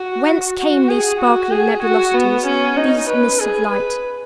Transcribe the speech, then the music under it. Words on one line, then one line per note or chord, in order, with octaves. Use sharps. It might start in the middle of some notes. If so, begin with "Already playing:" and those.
Whence came these sparkling nebulosities, these mists of light?
Already playing: F#4
F#4
G#4
F#4
G#4
F#4
B3
C#4
D#4
B4
G#4
B4